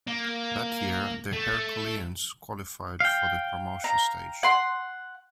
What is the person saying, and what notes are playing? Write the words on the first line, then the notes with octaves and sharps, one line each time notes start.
That year, "The Herculeans" qualified for the promotion stage.
A#3
A3
F5 G5
A#5
F#5 C6